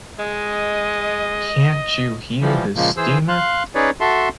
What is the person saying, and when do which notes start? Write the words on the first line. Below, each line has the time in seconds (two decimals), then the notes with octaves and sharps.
Can’t You Hear the Steamer?
0.19 G#3 D#5
2.41 E3 F3 G3
2.76 A#2 C#3 F3 G#3 A#3
2.97 E3 G#4 C5 E6
3.28 F5 C6 F#6
3.75 C#4 D#4 G#4 B4 C#5 D5
4.01 F#4 A4 E5 A5 C6